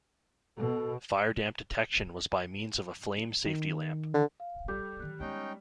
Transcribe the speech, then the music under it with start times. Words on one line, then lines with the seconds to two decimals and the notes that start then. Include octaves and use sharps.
Firedamp detection was by means of a flame safety lamp.
0.58 B2 A4
3.46 D#3
4.14 D3
4.40 F5
4.68 G3 A4 D6 G6
5.00 D#3 F#3 F#6
5.20 G#3 B3 C#4 D#4 G5